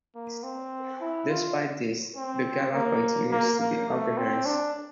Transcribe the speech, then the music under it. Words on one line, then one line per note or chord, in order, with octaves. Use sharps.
Despite this, the Gala continues to be organised.
A#3
C4
E4
F4
C4
A#3
A#3
A#3
A3
C4
D4